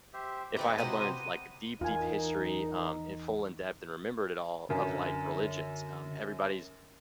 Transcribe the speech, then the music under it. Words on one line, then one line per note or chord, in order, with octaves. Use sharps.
if I had learned, like, deep, deep history, um, in full in-depth, and remembered it all, of, like, religions, um, everybody's
G4 C5 E5
A3 C4 D#4 G4 B4 C#5 G#5 A#5
C3 F#4 C5 D#5 D#7
E2 D#4 F4 A#4 G#5
F#2 D3